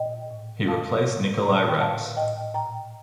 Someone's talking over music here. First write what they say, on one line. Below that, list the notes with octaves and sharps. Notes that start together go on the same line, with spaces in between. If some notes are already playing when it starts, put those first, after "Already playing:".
He replaced Nikolai Raps.
Already playing: A#2 D#5 G5
A2
A#2 F5 A5
A2
A#2 A#5
A5
G5
A2 F5 A5
A2 D#5 G5
A#2 G5 A#5